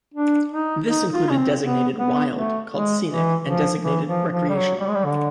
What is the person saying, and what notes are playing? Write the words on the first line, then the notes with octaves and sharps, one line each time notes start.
This included designated "wild", called "scenic", and designated "recreational".
D4
D#4
D#4
F4
C#4
C4
B3
B3
A3
G#3
E3
F3
E3
F3
F3
G3
F#3
G3
G#3
G3
D3